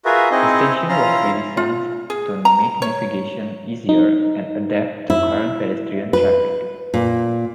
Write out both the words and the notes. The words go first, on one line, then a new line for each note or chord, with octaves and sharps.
The station was redesigned to make navigation easier and adapt to current pedestrian traffic.
F4 F#4 G#4 A#4 B4 E5
C4 D#4 E4 G#4 D#5
C#4 E4 F4 A#5 C6 F6
F4
G#4
A#5
C#5
D#4
E4
B4
A#2